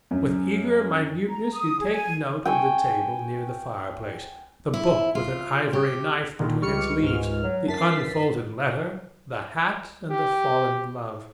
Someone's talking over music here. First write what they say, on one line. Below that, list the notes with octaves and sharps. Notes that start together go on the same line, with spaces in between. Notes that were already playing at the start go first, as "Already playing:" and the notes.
With eager minuteness you take note of the table near the fireplace, the book with an ivory knife between its leaves, the unfolded letter, the hat and the fallen glove.
F#2
A#5
D#6
G#4
G#5
G5 G#5 C#6
E4
F4
G4
A#2 D3 D#3
C#2 G3 G4 C#6 F6 C#7
G#2 F6
F#3
F#2 A5 A6 B6 C7
B4
G4